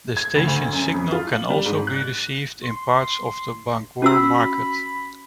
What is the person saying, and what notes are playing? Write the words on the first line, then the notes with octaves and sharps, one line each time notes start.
The station's signal can also be received in parts of the Bangor market.
G#6
D2
D2
F#2
F2
F4
F#7
G3
G#2
F#6
C6
C#4 F#4 B5 E6